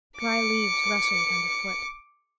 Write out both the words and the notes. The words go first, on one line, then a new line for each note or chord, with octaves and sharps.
Dry leaves rustled under foot.
D6 C#7